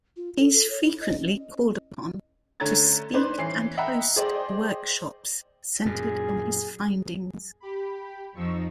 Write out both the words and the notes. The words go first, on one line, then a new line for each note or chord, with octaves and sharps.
He is frequently called upon to speak and host workshops centered on his findings.
F4
A4
A4
C#5
E4
D#5
C#4
D3 A3 C#4 A#5 G#6 A6
D4 D#4 B4 C5 D5
E3 C#4 C7
D#5 E5 F#5 G5 A#5 B5
G#4 C5 D5 D#5 G5
F#2 A#2 G#4
G4 B5
F2 F3 D#4 C#6 E6